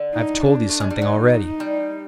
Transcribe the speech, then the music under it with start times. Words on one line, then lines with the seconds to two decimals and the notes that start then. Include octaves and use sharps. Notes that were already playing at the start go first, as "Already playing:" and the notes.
I've told you something already....
Already playing: D3
0.14 D#4
0.43 D4
0.69 A3
0.80 G#3
0.90 G3
1.01 F#3 D#4
1.60 G3